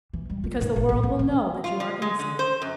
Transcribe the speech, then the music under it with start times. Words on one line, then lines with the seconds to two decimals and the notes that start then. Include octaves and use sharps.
"Because the world will know that you are innocent."
0.13 E3
0.30 G3
0.44 F4
0.61 G#2
0.76 A1
0.89 A1
1.03 C#4
1.19 D#3
1.64 F4
1.80 F3
2.02 G#3
2.19 D3
2.39 C5
2.62 F#2